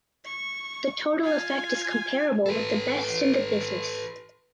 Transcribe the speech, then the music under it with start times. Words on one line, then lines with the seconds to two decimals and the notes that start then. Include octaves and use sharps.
The total effect is comparable with the best in the business.
0.25 C#6
1.20 F4 G#5
2.46 A4 B4